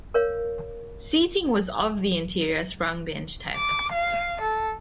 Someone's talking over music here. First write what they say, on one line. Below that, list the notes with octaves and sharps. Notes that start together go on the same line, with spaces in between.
Seating was of the interior sprung bench type.
A#4 C#5 F5
D6
F5
A4